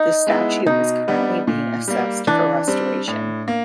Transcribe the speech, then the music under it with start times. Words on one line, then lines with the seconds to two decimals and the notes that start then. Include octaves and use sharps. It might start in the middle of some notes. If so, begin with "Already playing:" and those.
The statue is currently being assessed for restoration.
Already playing: D#4
0.27 G#3 B3 E4
0.66 B2 D#4
1.08 G3 B3 D4
1.47 A#2
1.88 G3 A#3
2.27 E3 D4
2.68 G3 C4
3.08 A2
3.48 A#3